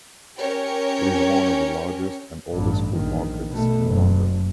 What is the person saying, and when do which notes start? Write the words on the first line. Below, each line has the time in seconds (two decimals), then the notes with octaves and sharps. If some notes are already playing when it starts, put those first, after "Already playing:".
It is one of the largest and oldest food markets in London.
0.38 C#4 G4 A#4 C#5
2.51 A1 G2
2.89 A#1 D#3
3.50 B2 A3
3.85 F#1